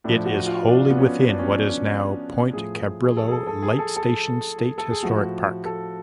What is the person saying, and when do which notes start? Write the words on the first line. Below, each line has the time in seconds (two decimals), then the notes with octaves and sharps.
It is wholly within what is now Point Cabrillo Light Station State Historic Park.
0.04 A2 F3 D4
0.26 F#4
0.46 F4
0.67 D4
0.90 B3
0.98 C#4
1.29 D4
1.39 C#4
1.48 D4
2.53 A2 F3 G#4
3.04 G#4
3.17 A4
3.28 G#4
3.31 A4
3.47 A4
3.62 G#4
3.78 A4
3.96 A4
4.78 A4
4.91 G#4
5.03 A2 F3 F#4
5.65 A4